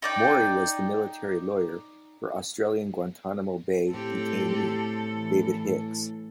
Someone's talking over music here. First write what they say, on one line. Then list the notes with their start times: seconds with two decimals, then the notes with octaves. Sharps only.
Mori was the military lawyer for Australian Guantanamo Bay detainee David Hicks.
0.02 D#4 D5 G5
3.91 A2 C4 G4 A4
5.12 E3